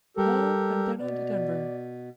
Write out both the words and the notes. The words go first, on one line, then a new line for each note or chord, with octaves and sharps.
Paul and then on to Denver.
G3 G4 A4 A#4
B2 D5